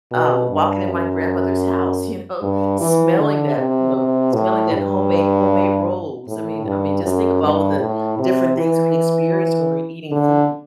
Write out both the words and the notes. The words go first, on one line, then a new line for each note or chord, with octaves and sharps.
um, walking in my grandmother's house, you know, smelling that, you know, smelling that homemade homemade rolls, I mean I mean just think about all the different things we experience when we're eating food.
B2
G2
F#2
G2
E3
D3
C3
C3
A2
G2
A2
G2
F#2
G2
A2
C3
E3
D3